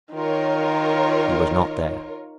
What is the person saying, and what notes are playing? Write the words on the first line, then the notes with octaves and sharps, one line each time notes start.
He was not there.
D#3 F4 A#4 C#5